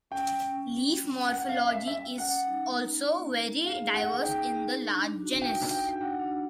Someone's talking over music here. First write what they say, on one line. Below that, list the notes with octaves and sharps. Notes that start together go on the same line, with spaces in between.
Leaf morphology is also very diverse in this large genus.
C#4 G5
G3
C#4
G3
A#3
C#4
G3 F#5
G3 F5
G3 E5
G3 E5
G3
F#5
C#4
D#4
A#3
A#3
A#3
A#3
A#3
G#4 F5
G#4
F#5
A#3
D#4 G5
D#4
D#4
D4
D4
F#4
F#4 G5
F#4
G5
F#4
G5
D4 F#5
D4